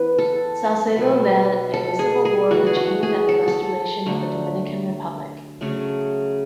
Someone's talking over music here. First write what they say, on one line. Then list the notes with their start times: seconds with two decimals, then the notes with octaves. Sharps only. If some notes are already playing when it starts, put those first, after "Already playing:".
Salcedo led a civil war which aimed at the restoration of the Dominican Republic.
Already playing: E3 B3 B4
0.19 A4
0.96 B2 F#3 B3
1.74 A4
1.99 G#4
2.25 G#4
2.51 E3 A3 F#4
2.66 G#4
2.77 F#4
3.03 G#4
3.29 A4
3.48 A4
4.06 D3 F#3 A3
5.61 C#3 F#3 A3